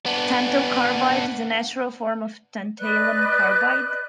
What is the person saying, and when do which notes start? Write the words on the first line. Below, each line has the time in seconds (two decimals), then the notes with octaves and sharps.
Tantalcarbide is a natural form of tantalum carbide.
0.06 B3 D4
2.79 B4 D5 D#5 F#6